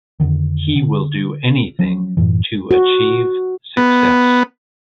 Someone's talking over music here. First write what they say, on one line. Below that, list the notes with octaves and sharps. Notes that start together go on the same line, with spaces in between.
He will do anything to achieve success.
F2 B2 D3 D#3
D3
F3 F#3 C#4
F#2 A2 E3
F#4
B3